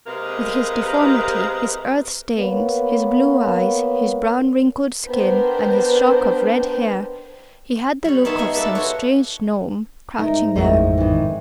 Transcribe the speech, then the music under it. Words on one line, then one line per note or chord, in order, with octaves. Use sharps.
With his deformity, his earth-stains, his blue eyes, his brown wrinkled skin, and his shock of red hair, he had the look of some strange gnome crouching there.
C3 G#3 A#3 A#4 B4
A#3 B3 B4 C#5
B3 D4 A#4 C5 G5
G3 C#5
B3 D#4 C#5 E5 A5 C6
G#3 G#5
F4 A4 B4 D5 E5
F#4 G4 B4 C#5
G#2 D#4 A#4 E5
A1 F2 A2 D#4 G#4 A#4 E5
D#3 E3